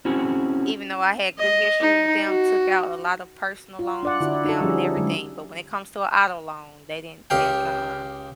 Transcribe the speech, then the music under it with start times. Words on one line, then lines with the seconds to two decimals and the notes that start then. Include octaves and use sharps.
Even though, I had good history with them, took out a lotta personal loans with them and everything, but when it comes to a auto loan, they didn't they Uh-uh.
0.05 C4 C#4 E4 F#4 G#4
1.39 D#5
1.81 D#4
2.27 F#4
3.79 F4
4.03 D4 D5 F#5
4.20 D3 E4 F#4
4.45 D#4 F#4 A4
4.61 F3 G3 C#4 G#4
4.97 D3 F#3 G#3
7.30 C#2 G4 F5 G5